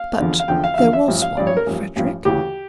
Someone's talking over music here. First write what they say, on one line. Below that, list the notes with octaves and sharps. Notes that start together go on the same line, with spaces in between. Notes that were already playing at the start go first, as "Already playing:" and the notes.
"But there was one, Frederic?"
Already playing: F5
E2 D3 F3
F5
E2 D3 F3 G5
F5
E5
E2 D3 F3 F5
E5
A1 G2 F3
F5
A1 G2 F3 D5
C#5
A#4
A1 G2 F3
A1 G2 F3
D2 C#3 E3 G4